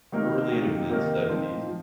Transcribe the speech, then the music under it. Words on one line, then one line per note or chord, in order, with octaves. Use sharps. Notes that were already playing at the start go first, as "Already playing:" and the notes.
early to mid-seventies,
C3 D#3 A#3 D#4 A#4
C3 D#3 A#3 D#4 A#4
C3 D#3 A#3 D#4 A#4
F3 C4 D#4
F3